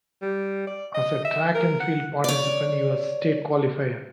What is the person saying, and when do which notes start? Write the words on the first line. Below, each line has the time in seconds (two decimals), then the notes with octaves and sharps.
As a track and field participant, he was state qualifier.
0.22 G3
0.67 D5
0.94 D#5
1.24 E5
1.54 A#4
1.80 F#5
2.24 C#5 D5